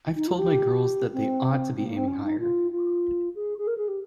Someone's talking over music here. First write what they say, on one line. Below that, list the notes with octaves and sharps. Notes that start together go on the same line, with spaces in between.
I've told my girls that they ought to be aiming higher.
D#4
F4
G4
C4
C4
A#3
C4
C#4
D#4
F4
F4
G#4
G#4
A#4
G#4
G4